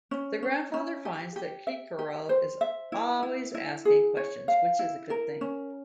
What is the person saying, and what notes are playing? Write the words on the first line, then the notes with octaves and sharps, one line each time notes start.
The grandfather finds that Kirikou is always asking questions, which is a good thing.
C#4
C#4
C#4
G4
G4
E5
G4
C5
E5
E4
E4
E4
G#4
C#5
F5
E4
A#4
C#4